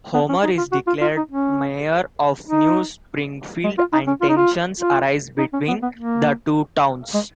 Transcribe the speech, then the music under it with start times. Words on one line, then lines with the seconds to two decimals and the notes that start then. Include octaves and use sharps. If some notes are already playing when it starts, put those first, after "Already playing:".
Homer is declared mayor of New Springfield and tensions arise between the two towns.
0.14 B3
0.29 C#4
0.43 D#4
0.58 F4
0.72 F#4
0.87 F4
1.01 F4
1.16 D#4
1.31 C#4
2.47 D#4
3.64 G#3
3.78 F4
3.93 D#4
4.07 C#4
4.21 F4
4.29 D#4
4.37 F4
4.80 F4
5.38 D#4
5.53 C#4
5.68 B3
5.82 B3
5.97 A#3
7.14 G#3